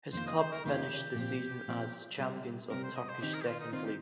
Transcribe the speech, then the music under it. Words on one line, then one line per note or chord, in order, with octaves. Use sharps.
His club finished the season as champions of Turkish Second League.
F2 D#3 A#3 F4 C5
D#5
C5
A#4
F2 D#3 A#3 F4 G4
A#2 F3 C4
A#2 F3 C4
C3 G3 C4
C3 G3 C4 A#4
C5
D#5
C5
D#3 C4 D#4 G4
A#4
G4
F4
D#4
D#3 C4 D#4 F4
G4